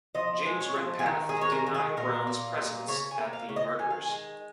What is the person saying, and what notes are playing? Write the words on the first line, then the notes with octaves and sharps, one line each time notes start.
James Redpath, denied Brown's presence at the murders.
F3 D#5
G#3
C#5
F3
G#4
D#3 A#4
G#4
G#3 C#5
A#4
D#3
G#4
A#2 A#4
A#3
A#2
C#3 C#5
G#5
A#3
F5
C#3
D#5
D#3 G#5
F5
G#5
G#3